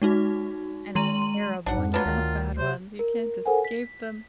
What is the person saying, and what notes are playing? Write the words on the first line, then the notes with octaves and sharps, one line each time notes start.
And it's terrible when you have bad ones, you can't escape them.
G#3 D#4 F#4
D#3 G#3 A#5 C6 D#7 F#7
A#1 G#2 D4 F#5
F2
F#3 D4 F4 B4
D2 D#3
C3 C5
A#4
A4 A#4 C5 F#5 G#5
B6